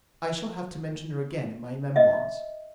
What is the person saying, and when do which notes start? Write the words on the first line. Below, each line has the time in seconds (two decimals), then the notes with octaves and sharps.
I shall have to mention her again in my Memoirs.
1.96 D#5 E5